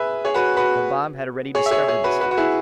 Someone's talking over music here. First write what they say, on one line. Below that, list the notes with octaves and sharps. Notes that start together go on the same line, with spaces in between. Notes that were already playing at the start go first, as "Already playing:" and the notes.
But Bob had already discovered this fact.
Already playing: G#4 B4 E5
G#4 C#5
F#4 B4
F#4 B4
G#4 C#5
E5
G#4 C#5
G#4 C#5
F#4 B4
F#4 B4
F#4
E4 G#4